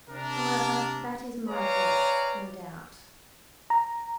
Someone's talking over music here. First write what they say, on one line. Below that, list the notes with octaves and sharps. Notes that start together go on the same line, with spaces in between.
"However, that is my fault, no doubt."
C3 D4 A#4
B4 C#5 D5 F5 G#5 A#5
A#5